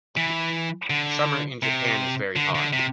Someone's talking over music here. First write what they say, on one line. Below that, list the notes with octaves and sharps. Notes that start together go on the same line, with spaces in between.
Summer in Japan is very hot.
E3
D3
C3
D3
D3
C3